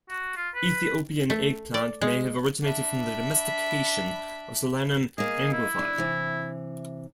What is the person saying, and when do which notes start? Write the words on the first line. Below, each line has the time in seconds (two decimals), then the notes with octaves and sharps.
Ethiopian eggplant may have originated from the domestication of "Solanum anguivi".
0.10 F#4
0.37 F4
0.55 B4
1.30 A3
1.74 D5
2.01 G#3
2.63 D4 E5 B5
5.18 A#3 G#4 D#5
5.52 E4
5.79 D4
5.98 C3 E3